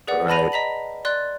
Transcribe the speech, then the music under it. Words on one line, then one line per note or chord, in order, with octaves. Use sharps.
All right.
G#4 B4 D5 F#5
D5 A5 B5 A#6 D#7 F7
D#5 A#5 B6 F#7
D5 C6 F#6 A6